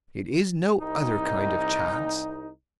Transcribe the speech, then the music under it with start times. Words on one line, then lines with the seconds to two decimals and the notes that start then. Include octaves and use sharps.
It is no other kind of chance.
0.79 C2 D#4